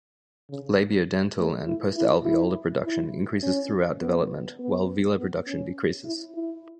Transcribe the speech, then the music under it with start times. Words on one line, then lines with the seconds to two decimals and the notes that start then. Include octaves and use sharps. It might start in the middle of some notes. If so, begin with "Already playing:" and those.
Labiodental and postalveolar production increases throughout development, while velar production decreases.
0.50 C#3
1.38 A3
1.67 E4
1.97 E4
2.26 E4
2.84 E4
3.43 C#4
4.01 B3
4.59 B3
5.17 B3
5.47 C#4
6.05 E4
6.34 E4